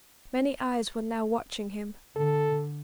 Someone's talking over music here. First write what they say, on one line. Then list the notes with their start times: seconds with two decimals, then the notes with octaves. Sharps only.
Many eyes were now watching him.
2.16 D3 A4